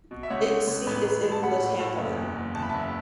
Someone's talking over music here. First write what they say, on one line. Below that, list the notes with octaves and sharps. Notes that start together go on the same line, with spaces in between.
Its seat is in Le Tampon.
B2
E5
C#2 C#5 F#5
A3
C#2
A1 B4
A1
A1
A5
A1 F#5 B5
A2
A2
F#1
E2
F#1
E2 A5
B5
F#1 E5 A5